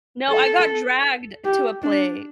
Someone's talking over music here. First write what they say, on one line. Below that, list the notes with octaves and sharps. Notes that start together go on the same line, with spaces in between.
No, I got dragged to a play.
A4
G4
D4